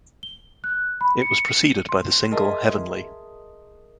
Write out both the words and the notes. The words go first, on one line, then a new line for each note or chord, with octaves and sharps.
It was preceded by the single "Heavenly".
G7
F#6
B5
C#7
C6
G#4 A#4 D#5 E5 A5 C6